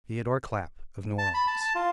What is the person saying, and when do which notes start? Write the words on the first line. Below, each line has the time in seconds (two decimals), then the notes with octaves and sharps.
Theodore Clapp, of New Orleans.
1.18 A5
1.34 B5
1.47 A5
1.61 A5
1.75 F4